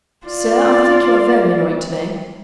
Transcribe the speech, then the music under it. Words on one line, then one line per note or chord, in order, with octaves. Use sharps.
"Sir, I think you are very annoying to-day."
F4 D5